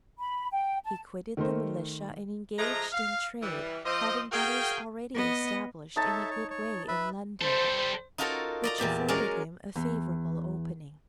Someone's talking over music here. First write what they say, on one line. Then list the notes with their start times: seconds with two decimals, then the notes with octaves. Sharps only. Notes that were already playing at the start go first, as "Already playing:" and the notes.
He quitted the militia and engaged in trade, having brothers already established in a good way in London, which afforded him a favourable opening.
0.18 B5
0.51 G5
0.85 A5
1.37 D#3 A3 A#4 C5
2.59 F3 G#3 A3 D#5 A#5
2.92 F5
3.42 E3 G3
3.85 F3 C4 C5 D#5
4.32 F#4 G#4 A#4 F5 G5
5.14 B3 D#5
5.96 D#4 A4 C#5 E5 A5
6.30 C#5
6.51 C#5
6.88 B4 E5 B5
7.42 G3 A4 C5
8.18 D#4 F4 F#4 A4 A#4 C#5
8.63 D5 D#5 A#5
8.78 E2 A#2 G4 D5
9.08 F#3 G#3 C#4 A#4 D5
9.76 E2